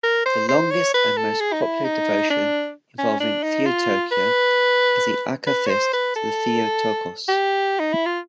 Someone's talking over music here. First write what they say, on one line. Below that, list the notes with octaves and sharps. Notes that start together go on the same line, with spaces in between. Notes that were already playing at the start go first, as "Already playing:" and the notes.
The longest and most popular devotion involving Theotokia is the Akathist to the Theotokos.
A#4
C5
C5
C#5
B4
A4
G#4
D#4
E4
D#4
D4
C#4
D4
D#4
F4
B4
B4
C#5
C5
B4
A4
G4
D#4
E4
F4